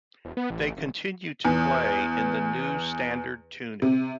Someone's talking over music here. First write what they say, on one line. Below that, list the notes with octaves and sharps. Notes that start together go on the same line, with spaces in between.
They continue to play in the New Standard Tuning.
E1
B3
A1
D#1
E2
C3